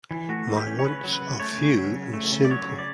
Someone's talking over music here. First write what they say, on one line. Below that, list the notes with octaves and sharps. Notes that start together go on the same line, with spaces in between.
My wants are few and simple.
E3
A3 F#4
E3
G4
C#4
C#5
C#3 B4
F#3
B4
C#3
A3 C#5
C#3
F#3
C#3
A3
C#3
D5
F#3 C#5
C#3
D5